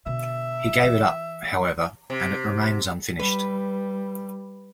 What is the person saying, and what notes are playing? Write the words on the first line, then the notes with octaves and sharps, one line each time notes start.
He gave it up, however, and it remains unfinished.
B2 D3 E5
G2 E3
E3
C3
G3 B4